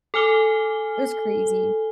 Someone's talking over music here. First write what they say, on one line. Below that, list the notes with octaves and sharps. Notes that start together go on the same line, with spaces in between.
it was crazy.
A4 G#5 F6 G7